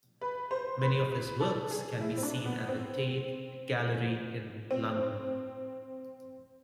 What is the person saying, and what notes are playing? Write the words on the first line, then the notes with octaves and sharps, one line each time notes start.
Many of his works can be seen at the Tate Gallery in London.
B4
C5
B4
B4
A4
G#4
E4
C4
D4
B3
C4
C4